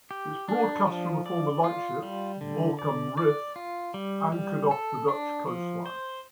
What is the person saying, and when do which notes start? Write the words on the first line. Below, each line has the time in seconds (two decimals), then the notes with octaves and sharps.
It broadcast from a former lightship "Borkum Riff" anchored off the Dutch coastline.
0.11 G4
0.49 D4
0.87 F3
1.26 D5
1.64 F4
2.03 G3
2.41 D3
2.79 D5
3.17 D5
3.56 F4
3.94 G3
4.32 G3
4.71 A4
5.08 D4
5.47 F3
5.86 C5